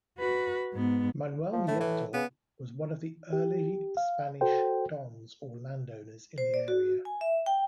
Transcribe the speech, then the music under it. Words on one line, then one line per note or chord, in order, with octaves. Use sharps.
Manuel Nieto was one of the early Spanish dons or landowners in the area.
F#4 B4
G#2 B3
F3
A2 A3
E3
C#3 B3
G4
F5
F#4 A4 C5 G5
C5
D5
F#4
G#5
E5
G5